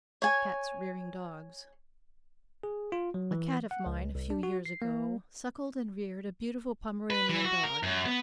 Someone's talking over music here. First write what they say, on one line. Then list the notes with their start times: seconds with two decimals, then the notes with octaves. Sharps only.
CATS REARING DOGS.--A cat of mine, a few years ago, suckled and reared a beautiful Pomeranian dog.
0.22 C#5 G#5
2.63 G#4
2.92 F4
3.14 F#3
3.31 E3
3.71 F#5
3.86 C#2
4.15 C2
4.30 D4
4.43 F#4
4.66 C7
4.82 A#3
7.10 B4
7.29 E3
7.45 F#4
7.63 A#4
7.83 F#2
8.06 B3